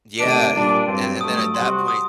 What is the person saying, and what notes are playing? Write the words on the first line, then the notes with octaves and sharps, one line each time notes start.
Yeah. And and then at that point,
C3 D#3 A3 D4 D7
D#7
D7
A#2 G3 D4
G2 F#3 C4
G2 F#3 A3 D#6
D#6
C3 G3 C4 F#4 C6
D#6